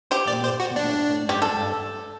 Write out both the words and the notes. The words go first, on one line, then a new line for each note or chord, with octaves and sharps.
I must keep my planes intact.
G4 C5
D5
C5
F#4
D4
G4
A4